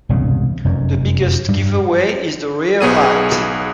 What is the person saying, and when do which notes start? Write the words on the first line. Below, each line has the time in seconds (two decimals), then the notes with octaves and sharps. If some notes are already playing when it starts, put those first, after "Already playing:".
The biggest giveaway is the rear light.
0.09 E1 C2 G2 C#3
0.65 F1 F#2
1.48 G2 G3
2.81 B1 B3 G#4 D#7